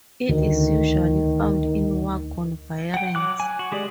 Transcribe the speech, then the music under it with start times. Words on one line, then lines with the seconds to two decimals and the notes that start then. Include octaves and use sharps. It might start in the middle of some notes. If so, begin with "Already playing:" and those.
It is usually found in wagon variants.
0.29 D2 D#3
2.94 F#5 G5
3.15 F#3 D6 F#6
3.40 G#5
3.59 F#4
3.72 G#3 G4 G#4 D5